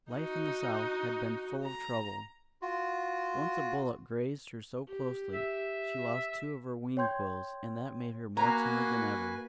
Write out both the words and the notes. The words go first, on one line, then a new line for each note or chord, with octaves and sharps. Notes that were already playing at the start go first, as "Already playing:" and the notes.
Life in the South had been full of trouble. Once a bullet grazed her so closely she lost two of her wing quills, and that made her more timid than ever.
D#4 F#4
A#5
F4 F#4
G4
E5
C#5 G5 C6 G6 G#6
A#3 F#4 B4 G#5 A#5